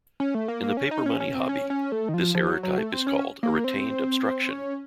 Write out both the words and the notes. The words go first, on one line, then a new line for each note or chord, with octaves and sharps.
In the paper money hobby, this error type is called a retained obstruction.
C#4
A3
A#3
A#3
C#4
D#4
C#4
C#4
C4
C#4
C#4
A3
D#3
F3
F3
F#3
F#3
A3
C4
C#4
A#3
C4
C#4